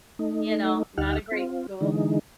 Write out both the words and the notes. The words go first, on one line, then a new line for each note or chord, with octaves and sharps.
you know, not a great school."
A3 D#4
D2 D#4 G4 F#5 F6
C4 F4
D3 E3 G#3 D#4